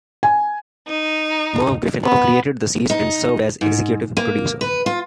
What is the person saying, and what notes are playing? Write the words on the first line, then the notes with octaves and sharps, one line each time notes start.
Merv Griffin created the series and served as executive producer.
G#5
D#4
B3
D#4
G#2
A#3
B4
F4